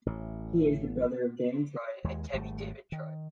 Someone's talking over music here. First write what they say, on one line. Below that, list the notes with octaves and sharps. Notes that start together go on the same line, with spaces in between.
He is the brother of Dan Troy and Tevi David Troy.
A1 A2
D#2 G#3
G#1 G3 A3
D#3